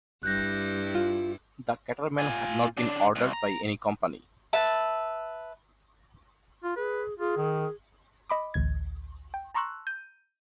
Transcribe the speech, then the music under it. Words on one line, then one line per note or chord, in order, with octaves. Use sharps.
The catamaran had not been ordered by any company.
G2 G3 E4 F#6 G6 A#6
F4
F4 G#5
C#3 D4
C2
A#5
B4 E5 A5
F4
G#4 B4
F4 G#4
D#3
D#5 B5 D6
A1 D2 G#6
G5
A5 A#5 C6 C#6 E6 F#6
G6 D#7